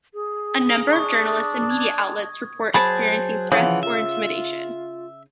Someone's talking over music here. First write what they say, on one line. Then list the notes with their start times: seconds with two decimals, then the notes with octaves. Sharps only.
A number of journalists and media outlets report experiencing threats or intimidation.
0.14 G#4
0.93 D4 C#6 D#6
1.70 G#6
2.74 F#3 G#4 C5 A5 B5
3.52 C#3 E3 F3 F#5
3.83 F4 E5